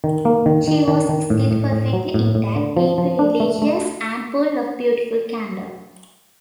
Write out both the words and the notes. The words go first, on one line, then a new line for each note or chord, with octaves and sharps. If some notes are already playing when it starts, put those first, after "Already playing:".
She was still perfectly intact, deeply religious, and full of beautiful candour.
D#3
A#3
D#3
D#3
D#3
D#3
A2
A2
A2
F#3
A2
A2
D3
F3
F3
D4
A3
A3